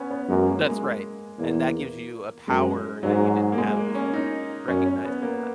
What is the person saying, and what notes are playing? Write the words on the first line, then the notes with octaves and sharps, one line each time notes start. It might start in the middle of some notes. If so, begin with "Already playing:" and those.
That's right, and that gives you a power that you didn't have before, recognizing that.
Already playing: B3 C#4
B3
F#2 G#3
A#3
G#3
E2 A#3
F#2 G#3
G#2 F#3
A#3
G#3
A#3
C#4
D#4
F#2 C#4
C#4
B3
A#3